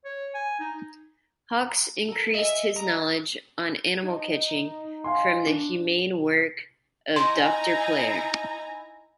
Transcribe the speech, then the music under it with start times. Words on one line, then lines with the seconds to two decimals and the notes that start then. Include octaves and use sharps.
Hawks increased his knowledge on animal catching from the humane work of Dr.Player.
0.05 C#5
0.34 G#5
0.60 D#4
2.08 A4 A#4
2.35 D#5 E5 G#5
2.77 D#5 A#5
4.03 D#4
5.04 F5 G#5 C6
5.47 D4
7.16 D#4 E4 G#5 A#5 C6